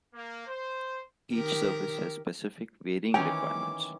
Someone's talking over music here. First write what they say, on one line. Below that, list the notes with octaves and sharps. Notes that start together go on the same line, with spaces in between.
Each service has specific varying requirements.
A#3
C5
D#3 G4 A#4
D#3 E3 C#4 G5 D6